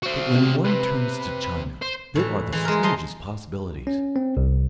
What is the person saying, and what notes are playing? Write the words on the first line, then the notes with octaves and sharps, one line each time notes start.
But when one turns to China there are the strangest possibilities.
F#4 C5
C3
C3 B4
C5
A2 E3
E3 G#3
G#3 A#4
F3 D#5 C6
C#4
C4
C2